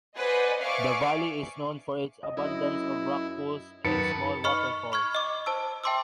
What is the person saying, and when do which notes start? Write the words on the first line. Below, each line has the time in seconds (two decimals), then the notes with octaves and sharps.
The valley is known for its abundance of rock pools and small waterfalls.
0.17 B4 C5 D5 D#5 F#5 G#5
0.60 D5 E5 F5 G#5 C#6 D6
2.23 D#5
2.37 F#2 E4
3.85 F#2 D#3 B4 A5 C#7
4.44 D#5 B5 C#6 F6 C#7
4.92 B5 C#6 F6 G#6
5.15 D#5 D6
5.46 C5 A5 E6
5.84 E5 G5 A5 C6 D6 E6